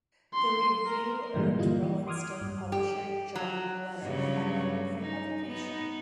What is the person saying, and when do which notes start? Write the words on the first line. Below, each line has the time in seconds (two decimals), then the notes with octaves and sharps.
The review irked "Rolling Stone" publisher Jann Wenner who had it pulled from publication.
0.34 C6
0.86 A#4
1.34 G2 A#2 D3 E3 G3 G#3
1.58 G3 A#3 E4 F4 D#5
1.81 E3
2.07 C6 D6 D#6 F6 G#6
2.41 G2
2.72 G4
3.35 F#3
4.03 G2 C#3 F#3
5.01 D#4
5.46 B3 D#4